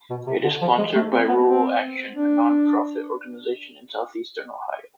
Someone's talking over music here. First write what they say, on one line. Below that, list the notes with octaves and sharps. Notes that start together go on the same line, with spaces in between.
It is sponsored by Rural Action, a non-profit organization in southeastern Ohio.
B2
C3
D3
F3
G#3
A3
C4
B3
C4
D4